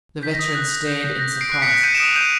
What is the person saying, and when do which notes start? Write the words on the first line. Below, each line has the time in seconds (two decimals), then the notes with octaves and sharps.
The veteran stared in surprise.
0.23 G6 B6
0.34 A#6
0.39 D#6
0.44 A#6
0.55 F#6 A#6
0.71 F#6
0.87 G6
1.04 G6
1.19 G6 A#6
1.36 G6
1.41 C7 D7
1.51 F#6 C7 D7
1.62 B6 C#7
1.68 F#6
1.83 G6 C#7 D#7
1.94 D7 E7
2.00 D#6
2.05 D#7 F7
2.16 G6 D#7 F7